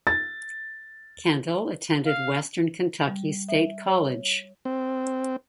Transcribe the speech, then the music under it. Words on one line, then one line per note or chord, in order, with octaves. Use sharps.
Kendall attended Western Kentucky State College.
A6
F5
G3
E5
C#5
C4